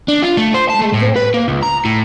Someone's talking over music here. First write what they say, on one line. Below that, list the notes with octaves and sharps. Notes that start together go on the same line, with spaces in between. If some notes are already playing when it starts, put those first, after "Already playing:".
They did.
D4
F4
A3
C5
A5
A3
A2
B4
A#3
C#2
A#5
A2